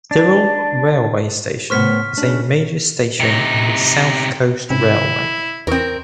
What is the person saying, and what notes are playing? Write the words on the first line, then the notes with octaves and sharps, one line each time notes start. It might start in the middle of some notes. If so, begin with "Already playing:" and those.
Thirroul railway station is a major station on the South Coast railway.
D4
A2 B3 C5 C#6 F6 B6
C#3 D4
C3 D#4
G#2 C3 C4 C#4 E4
E2 E3 C4 A#4 C#6 D#6